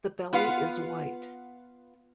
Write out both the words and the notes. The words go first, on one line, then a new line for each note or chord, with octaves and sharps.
The belly is white.
B3 F4 B4 F5 F#5